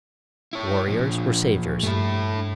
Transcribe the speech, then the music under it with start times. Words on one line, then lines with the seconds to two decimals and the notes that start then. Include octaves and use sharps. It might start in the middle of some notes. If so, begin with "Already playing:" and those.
Warriors were saviours.
0.53 E4 C#5
0.88 A#2 F3
1.83 G2 A3 E4